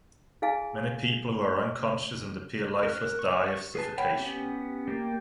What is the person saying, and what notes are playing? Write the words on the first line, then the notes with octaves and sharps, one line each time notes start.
Many people who are unconscious and appear lifeless die of suffocation.
E4 G#4 F5 G#5
A#4 F#6
C#6
G#4 B4 A5
C#5 E5 F#5 G5 B5
B3 C#4 G4
A#3 G4 D5 G5